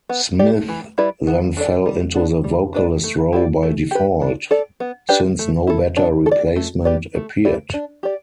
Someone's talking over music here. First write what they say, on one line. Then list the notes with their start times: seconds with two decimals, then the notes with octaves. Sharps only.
Smith then fell into the vocalist role by default, since no better replacement appeared.
0.09 B3
0.39 G4 D5
0.69 E3
0.98 G3 E4 B4 D5
1.27 B3
1.57 D4 A4 D5
1.86 G3
2.15 B3 D4
2.44 G3
2.74 D4 B4 D5
3.04 A3
3.33 E4 G4 B4 D5
3.63 A3
3.91 G4 B4
4.22 D4
4.51 A4 D5
4.80 B3
5.09 D4 G4 B4 D5
5.39 A3
5.67 E4 A4
5.97 D4
6.26 A4
6.31 D5
6.56 A3
6.85 G4 B4 D5
7.15 A3
7.45 E4 G4 D5
7.74 D4
8.03 G4 D5